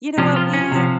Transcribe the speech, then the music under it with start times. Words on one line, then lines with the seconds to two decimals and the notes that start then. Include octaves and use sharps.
You know what? We,
0.18 C3 F3 C#4
0.36 F4
0.53 C#4
0.72 C3 F3